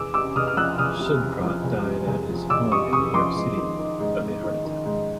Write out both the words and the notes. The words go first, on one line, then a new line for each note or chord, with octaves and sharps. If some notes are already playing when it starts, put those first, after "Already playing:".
Schildkraut died at his home in New York City of a heart attack.
Already playing: E2 D6 E6
C3 D6 E6
E2 D#6 F6
F6
F3 E6 F#6
E2 D#6 F6
C3
E2
F3
E2
C3
E2
F3
E2 D6 E6
C3 C#6 D#6
E2 C#6 D#6
F3 C6 D6
G#2
D#3
D#3
G#2
G#2
D#3
D#3
G#2